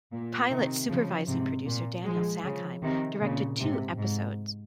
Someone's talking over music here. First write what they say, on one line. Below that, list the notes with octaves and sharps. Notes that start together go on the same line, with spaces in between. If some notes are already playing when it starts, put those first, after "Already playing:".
"Pilot" supervising producer Daniel Sackheim directed two episodes.
A#2
C3 D#3
C#3 F3
G#2 C3
A#2
F3 G#3
C#3 F3
C3 D#3
A#2 C#3
G#2 C3
G#2